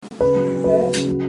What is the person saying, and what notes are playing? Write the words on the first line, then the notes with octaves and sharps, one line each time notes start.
The band consists of members of the bands Happy Diving and Big Bite.
C#3 B4
F#3
F#3
F#3 B4
C#3
C#3
F#3